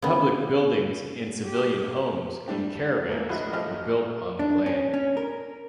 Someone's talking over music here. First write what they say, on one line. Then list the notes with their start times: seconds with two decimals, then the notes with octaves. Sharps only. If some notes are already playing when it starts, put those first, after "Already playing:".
Public buildings and civilian homes and caravans were built on the land.
0.02 C#3 B3
1.43 G4
2.48 G3 A3 D4 G4
3.09 G#2 A3 A#3
3.29 A#1 F#4 D#5 E5 F#6
3.52 A1 F3 A3 G4 D#5 F6
4.39 D4
4.66 C#4
4.94 C#4
5.17 A#4